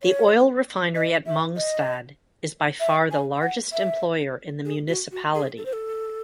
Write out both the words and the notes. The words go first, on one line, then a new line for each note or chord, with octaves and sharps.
The oil refinery at Mongstad is by far the largest employer in the municipality.
C#5
D#5
E5
D#5
E5
G#5
F#5
E5
G#4
F#4
F#4
G#4
A4
C5
A4